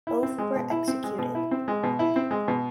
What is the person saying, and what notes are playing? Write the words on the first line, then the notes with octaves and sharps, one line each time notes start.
Both were executed.
E4
C4
G#3
B2
E4
C4
G#3
B2
E4
C4
G#3
B2
E4
C4
G#3
B2